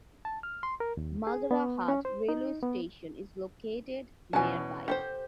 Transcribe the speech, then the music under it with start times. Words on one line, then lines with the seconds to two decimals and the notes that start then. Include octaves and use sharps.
Magra Hat railway station is located nearby.
0.25 A5
0.43 F6
0.63 C6
0.80 A#4
0.97 D#2
1.27 G#4
1.51 B3
1.88 C#4
2.05 C5
2.29 D#4
2.63 B3
4.33 E2 B2 C#4 G#5 A5
4.88 G4 A4 C5